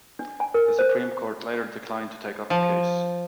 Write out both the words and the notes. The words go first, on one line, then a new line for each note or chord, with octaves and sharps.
The Supreme Court later declined to take up the case.
D4
G#5
A#4
C5
F3